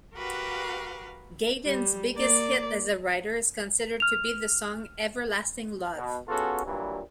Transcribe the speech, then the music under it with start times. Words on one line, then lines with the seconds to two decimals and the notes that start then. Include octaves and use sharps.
Gayden's biggest hit as a writer is considered to be the song "Everlasting Love".
0.15 F#4 G4 A#4 B4 F5 F#5
1.66 G3
2.16 A#3 D5
4.00 F6 F7
5.97 B2 B3
6.29 B3 C#4 F4 F#4 G#4 A4
6.65 G2 A#2 E3 F#3 G3